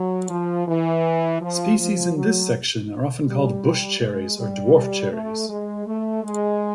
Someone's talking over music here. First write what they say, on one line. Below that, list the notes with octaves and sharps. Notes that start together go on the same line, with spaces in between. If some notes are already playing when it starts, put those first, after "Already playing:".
Species in this section are often called bush cherries or dwarf cherries.
Already playing: F#3
F3
E3
F3
F3
F#3
G3
G#3
G3
A3
G#3
A3
G#3